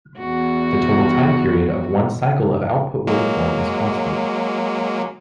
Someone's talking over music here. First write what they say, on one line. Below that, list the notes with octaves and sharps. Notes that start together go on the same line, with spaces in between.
The total time period of one cycle of output waveform is constant.
E2 F#4
F#3 G#3 A#3